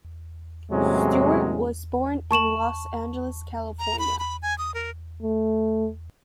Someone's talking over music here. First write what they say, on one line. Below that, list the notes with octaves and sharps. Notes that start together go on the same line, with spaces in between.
Stewart was born in Los Angeles, California.
E2 A2 C3 F#3 G#3 C#4
A5 C#6 E7 F#7
A#5
B5
B5
G#5
D#6
A#4
A3